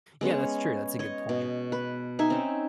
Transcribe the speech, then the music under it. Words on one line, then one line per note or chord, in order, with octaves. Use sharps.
Yeah, that's true. That's a good point.
G#3 B3 C#4 C#5
C#5 D#5
B2
B4
D#4 E5 G#5
C4 C#4